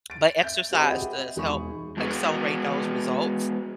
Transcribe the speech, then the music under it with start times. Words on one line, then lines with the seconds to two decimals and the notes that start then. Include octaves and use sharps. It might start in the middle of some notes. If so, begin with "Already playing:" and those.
but exercise does help accelerate those results,
0.10 A6 D7
0.43 E5 G6
0.71 C4 G4 G#4 C5 D#5 B5
0.91 G4 G#4 D#5 E5 F#5
1.36 E1 D#4 G#4 B5 C#6
1.97 F3 G#3 B3 F#4 G#4